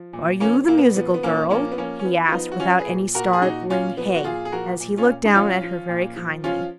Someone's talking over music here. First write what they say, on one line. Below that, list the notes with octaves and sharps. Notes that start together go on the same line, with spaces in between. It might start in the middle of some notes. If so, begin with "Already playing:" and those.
"Are you the musical girl?" he asked, without any startling "Hey!" as he looked down at her very kindly.
Already playing: F3
A#2
F3 A#3 C#4
A#2 A#3
B3
F3 B3
B3
A#2 A#3 C#4
F3 A#3 C#4
B3
F3 A#3 C#4
C#4
F3 B3
F4
F3 B3 D#4
F#4
F3 C#4 F4
G#4 B4
A#2
A#2 F#4 A#4
G#4
A#2 D#4 F#4
A#2 C#4 F4
F3 B3
F#4
A#2 F4 G#4
G#4
F3 F#4 A#4
A#2
C#4 F4
A#2
D#4
F3 C#4 F4
F3
A#2
F3
F3 C#4 F4